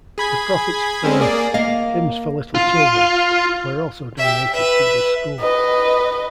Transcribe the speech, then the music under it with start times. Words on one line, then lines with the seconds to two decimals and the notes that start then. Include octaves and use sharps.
The profits from "Hymns for Little Children" were also donated to this school.
0.18 G#4 B5 G#6
1.03 G#3 C4 C#4
1.20 A#3 G#4 D5
1.54 A#3 D#5 F5
2.55 F4
4.18 G4 E5
4.54 B4 E5
5.40 B4 D#5